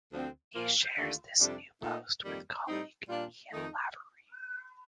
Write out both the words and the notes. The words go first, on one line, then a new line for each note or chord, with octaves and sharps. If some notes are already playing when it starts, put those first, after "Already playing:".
He shares this new post with colleague Ian Lavery.
D2 D3 F3 C4
A#2 F3 A#3 F4
D#2 D3 A3 D4 F4
F2 C3 G3 D4
A#2 A3 D#4
F2 D#3 G3 A#3
A2 G3 C4 D#4
A#2 G3 D4 F4
F2 D#3 A3 D#4